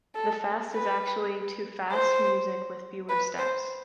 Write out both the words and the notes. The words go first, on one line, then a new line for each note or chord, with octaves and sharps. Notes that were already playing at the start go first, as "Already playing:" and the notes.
The fast is actually to fast music with fewer steps.
A4
B4
C5
B4
C5